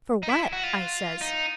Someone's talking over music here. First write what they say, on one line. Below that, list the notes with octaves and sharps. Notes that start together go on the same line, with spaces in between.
"For what?" I says.
D#4
E4
F#4
F4
D#4